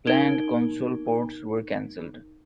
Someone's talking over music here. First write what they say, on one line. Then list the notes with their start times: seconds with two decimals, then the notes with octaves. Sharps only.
Planned console ports were cancelled.
0.07 D#4 A#4 G#6 D7 G7